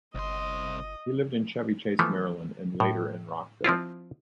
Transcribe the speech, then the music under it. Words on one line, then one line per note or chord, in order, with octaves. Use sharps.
He lived in Chevy Chase, Maryland and later in Rockville.
G1 C2 D#5 C6
E3 F3 A3 B3
A2
F3 C4 E4 F4